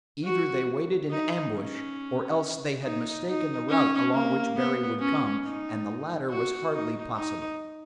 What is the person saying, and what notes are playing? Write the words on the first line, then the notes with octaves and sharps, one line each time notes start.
Either they waited in ambush, or else they had mistaken the route along which Barry would come, and the latter was hardly possible.
F#4
D#4
C#4
D#4
D#4
C#4
A#3
B3
C#4
D#4
F#4
D#4
D#4